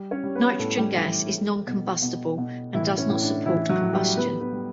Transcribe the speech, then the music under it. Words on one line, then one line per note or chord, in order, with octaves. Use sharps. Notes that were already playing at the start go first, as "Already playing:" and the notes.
Nitrogen gas is non-combustible and does not support combustion.
Already playing: G3
C#4 C#5
G3
B3 B4
A2 A3 A4
G3 G4
E3 G3 E4
A3
B2
B2
B2
A2 E3 E4
C#4
A2
D4
A2 E3 E4
F#3 F#4
A2
G3 G4
G3 B3 B4
B3 B4
G3